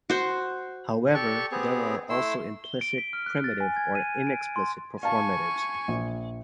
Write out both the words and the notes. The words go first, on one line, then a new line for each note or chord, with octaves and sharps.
However, there are also "implicit", "primitive", or "inexplicit" performatives.
F#4 C5
G4 A4 D5 C#6
B3 C4 G4 G#4
A3 E4 C6 E6
G7
D7
B6
F6
F#6
A6
G#5
G#6
D#7
D7
C6
F5 G#5 A5 C#6
A#1